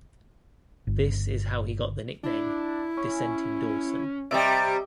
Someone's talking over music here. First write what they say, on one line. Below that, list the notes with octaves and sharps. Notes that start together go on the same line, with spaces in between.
This is how he got the nickname "Dissenting Dawson".
G1
D4 E4
C#4
C3 G3 G4 D#5 E5 D7